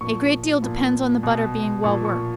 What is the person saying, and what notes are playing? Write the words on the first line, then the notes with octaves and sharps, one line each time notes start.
A great deal depends on the butter being well worked.
A#2 F3 C#6
A#2 F3
B2
A#2 F3 C#6
C#6